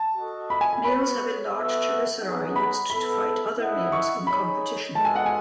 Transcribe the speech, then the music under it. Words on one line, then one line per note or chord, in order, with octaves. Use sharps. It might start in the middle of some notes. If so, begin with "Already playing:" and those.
Males have enlarged chelicerae used to fight other males in competition.
Already playing: A5
F#4 A4 D#5
B5
G#5
G#5
B3 F#4 C#5 B5
B3 F#4 A4 E5
B3 D#4 G#4 C#5 F#5
B5
B3 E4 A4 B5
E4 A4 D#5 F#5
C#6
D#4 G#4 C#5 B5
G#3 B3 D#4 F#4 A4 A5
G#5
F#5
G#5